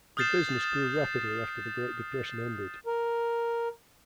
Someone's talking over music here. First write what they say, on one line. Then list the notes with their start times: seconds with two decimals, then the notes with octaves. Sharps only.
The business grew rapidly after the Great Depression ended.
0.17 D#6 F6 G6 A6 C7 E7
2.86 A#4